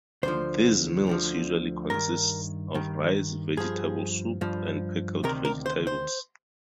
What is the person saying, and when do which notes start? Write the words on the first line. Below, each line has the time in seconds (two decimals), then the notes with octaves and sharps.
These meals usually consist of rice, vegetable soup and pickled vegetables.
0.23 D2 D3 F3 C5
1.07 D2 D3 F3
1.90 G2 D#3 A#4
2.74 G2 D#3
3.57 G2 F3 G#4
4.41 G2 F3
5.24 D2 C3 D#3 A#4
5.45 A#4
5.66 C5
5.87 C5